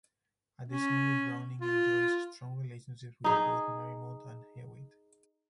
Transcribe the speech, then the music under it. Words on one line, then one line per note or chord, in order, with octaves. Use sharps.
Additionally, Browning enjoys strong relationships with both Marymount and Hewitt.
C#4
F4
D#4 G#4